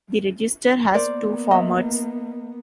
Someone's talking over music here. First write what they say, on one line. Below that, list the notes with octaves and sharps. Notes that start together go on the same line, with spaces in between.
The register has two formats.
A#3 B3 A#4 C5 D5
D#5 E5